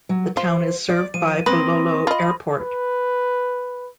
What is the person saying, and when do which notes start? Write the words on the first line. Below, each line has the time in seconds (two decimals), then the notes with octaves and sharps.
The town is served by Bulolo Airport.
0.09 F#3
0.37 F4 C5
0.89 D5
1.14 F3 D#7
1.46 A#3 C4 B4 C6 D#6 A#6
2.07 F4 D#5 B5
2.59 B4